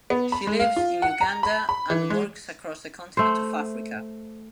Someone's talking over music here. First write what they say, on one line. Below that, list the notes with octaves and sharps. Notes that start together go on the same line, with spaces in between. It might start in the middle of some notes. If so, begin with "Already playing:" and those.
She lives in Uganda and works across the continent of Africa.
B3
B5
G#3
F5
F4
F#5
A#5
B5
B5
E3
G#3
A3 C5